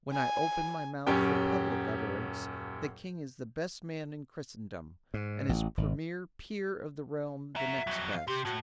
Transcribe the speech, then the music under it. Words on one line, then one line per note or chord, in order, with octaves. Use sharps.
When I open my mouth for public utterance, the king is the best man in Christendom, and his premier peer of the realm the next best.
G#5
D#1 F#2 C#4 G4 G5
G#2
A1
G#1
F#4 A#4 E5
F2 F#3
F5
C3 G4
A2 F#4